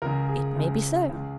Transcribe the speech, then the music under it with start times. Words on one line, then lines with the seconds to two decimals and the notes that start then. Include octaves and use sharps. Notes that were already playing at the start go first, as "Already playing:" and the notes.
It may be so.
0.02 C#2 C#3 A#4
0.29 G#4
0.56 C#2 C#3
1.09 C#2 C#3